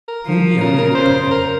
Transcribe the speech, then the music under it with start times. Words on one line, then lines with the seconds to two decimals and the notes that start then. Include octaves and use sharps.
Moody only looked at him.
0.08 A#4
0.26 F3
0.61 C#3 A#4
0.78 A#4
0.95 C#3 C5
1.31 A#4